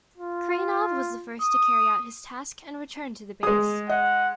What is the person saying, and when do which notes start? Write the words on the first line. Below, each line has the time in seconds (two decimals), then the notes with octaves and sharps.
Krainov was the first to carry out his task and returned to the base.
0.17 F4
1.42 D#6
3.43 G#3 G#4 D#6
3.89 D#5 F#5